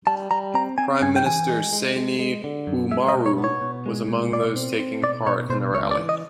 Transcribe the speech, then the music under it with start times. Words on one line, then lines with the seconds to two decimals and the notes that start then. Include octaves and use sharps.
Prime Minister Seyni Oumarou was among those taking part in the rally.
0.07 G3 A5
0.31 G3 A#5
0.54 C4 A#5
0.78 C4 G#5
1.02 G2 G#5
1.16 G5
1.26 E3 G#5
1.49 G#3
1.73 G#3
1.96 G#3
2.19 G#3
2.44 D3
2.67 F#2
2.91 G#3 E5
3.09 D#5
3.14 B2
3.26 C#5
3.38 B3
3.44 C#5
3.62 B2
3.86 G#3
4.08 B2
4.32 B2 D5
4.56 C4
4.79 C4
5.03 B2 D5
5.27 B2 C#5
5.50 B2 C5
5.73 C#2 C#5
5.91 D5
5.98 E3
6.09 D#5